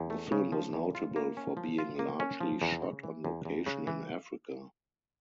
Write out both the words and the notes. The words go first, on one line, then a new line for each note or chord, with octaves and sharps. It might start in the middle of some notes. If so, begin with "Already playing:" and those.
The film was notable for being largely shot on location in Africa.
Already playing: E2
A3
C#3
F3
E2
F4
A#3
C#4
F3
F4
A#3
C#4
F3
E2
C#3
E3
E2
E2
C#3
E3